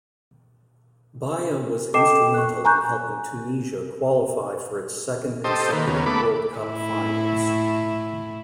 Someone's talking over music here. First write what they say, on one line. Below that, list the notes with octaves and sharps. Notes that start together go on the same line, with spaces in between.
Baya was instrumental in helping Tunisia qualify for its second consecutive World Cup finals.
A4 D#5 G5 D6 C7 E7
C#6 F#6
G#5 A#5 C#6 F#6 G6
G4 A4 C5 D#5
D#3 A#3 B4
D#2 C#3 A#3 B3
A3 B3 B5 D6
A2 E4